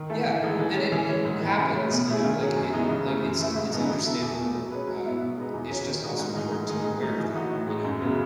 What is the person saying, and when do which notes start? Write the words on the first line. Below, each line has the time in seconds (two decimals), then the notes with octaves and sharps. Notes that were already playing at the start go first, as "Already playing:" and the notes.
Yeah, and it it it happens, you know, like, it like, it's it's understandable, um, it's just also important to be aware of that, you know
Already playing: D#3
0.10 A3 E4 A4
0.26 E3
0.42 G#3 D#4 A4
0.59 E3
0.75 G#3 C#4
0.92 E3
1.09 G#3 C#4
1.25 G#2
1.42 E3 G#3
1.58 C#3
1.75 F#3 A3 C#4
1.91 B2
2.08 A3 E4 G#4
2.24 D#3
2.40 F#3 C#4 G#4
2.56 F#2
2.73 E3 G#3 B3 D#4
2.89 C#3
3.06 E3 A3
3.23 F#2
3.39 E3 A3 E4
3.56 G#2
3.72 E3 B3 D#4 A4
3.89 F#3
4.05 B3 E4 A4
4.22 E2
4.38 B2 A3
4.54 F#3
4.71 C#4 G#4 B4
4.88 F#3
5.04 B3 E4
5.20 B2
5.37 G#3 B3 D#4
5.53 E2
5.70 C#3 F#3 C#4 G#4
5.87 D#3
6.03 G#3 D#4 F#4
6.19 G#2
6.36 E3 A3 D#4 G#4
6.52 G#2
6.69 D#3 A3 D#4 G#4
6.85 G#2
7.02 F#3 A3 D#4
7.18 E3
7.35 A3 D#4 F#4
7.51 A2
7.67 G#3 D#4
7.84 F#2
8.00 C#3 F#3 B3